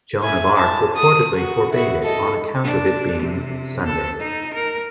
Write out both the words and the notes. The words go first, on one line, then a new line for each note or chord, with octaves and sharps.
Joan of Arc reportedly forbade it, on account of it being Sunday.
E4 G#5
A5
D#6
F#4
E4 F#4
A4 D#5
D4
C3
A4
D#4
A#4